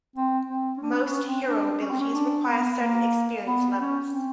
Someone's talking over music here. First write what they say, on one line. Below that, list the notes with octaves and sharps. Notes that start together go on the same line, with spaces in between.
Most hero abilities require certain experience levels.
C4
C4
C#4
D4
C#4
C4
D4
C#4
C4
C#4
D4
B3
A#3
B3
C#4
C4